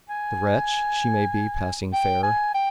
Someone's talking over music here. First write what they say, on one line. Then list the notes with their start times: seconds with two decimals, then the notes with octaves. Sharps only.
The wretch, she may be passing fair.
0.09 G#5
1.93 G5
2.23 G#5
2.54 G5